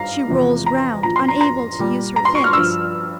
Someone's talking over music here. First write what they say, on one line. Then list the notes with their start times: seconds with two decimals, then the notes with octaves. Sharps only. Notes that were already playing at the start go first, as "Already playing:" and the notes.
She rolls round, unable to use her fins.
Already playing: G#2 G3 F5 A#5
0.28 E2 C3 F3
0.66 A#5
1.03 A#2 F3 A#5
1.16 C6
1.28 A#5
1.41 A#5
1.79 A#2 G3
2.16 A#5
2.25 C6
2.35 C#6
2.44 F6
2.53 G2 F3 E6